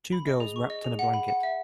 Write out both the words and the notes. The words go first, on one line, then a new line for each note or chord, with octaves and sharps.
Two girls wrapped in a blanket.
B5
D#5
G#4
C#6
D#5
G#4
F#5
B5
F#5
E5